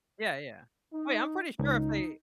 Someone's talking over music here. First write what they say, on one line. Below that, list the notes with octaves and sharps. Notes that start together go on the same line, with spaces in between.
Yeah, yeah, oh, yeah, I'm pretty sure if they
D#4
C#2 D#4